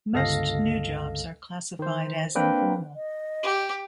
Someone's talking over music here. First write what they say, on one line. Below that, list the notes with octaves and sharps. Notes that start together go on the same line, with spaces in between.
Most new jobs are classified as informal.
G1 C#2 A4 D#5 F5 A#6
D#3 C5
A#3 C4 D4 B4 G5
D#5
G4